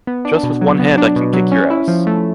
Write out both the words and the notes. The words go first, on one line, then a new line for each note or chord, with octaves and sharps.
Just with one hand I can kick your ass.
B3
D4
B2
F#3
B3
D4
B2
F#3
C#4
E4
F3
A3